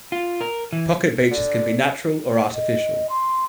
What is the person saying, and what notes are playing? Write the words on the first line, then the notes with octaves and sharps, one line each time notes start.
Pocket beaches can be natural or artificial.
F4
A#4
E3
D3
D#5
C6